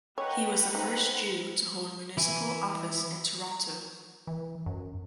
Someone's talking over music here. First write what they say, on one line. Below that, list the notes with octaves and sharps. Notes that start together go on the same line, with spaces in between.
He was the first Jew to hold municipal office in Toronto.
B4 C#5 D#5 F#5 G5 A#5
D#4 C5
E3 E4 E5 G#5
E3
F#2